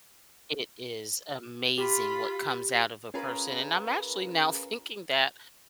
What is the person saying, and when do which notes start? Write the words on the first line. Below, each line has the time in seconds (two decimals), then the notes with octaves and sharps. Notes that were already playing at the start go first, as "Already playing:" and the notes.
it is amazing what comes out of a person. And I'm actually now thinking that
1.78 F4 G4 B5
3.14 C#4 F4 G#4 A#4 B4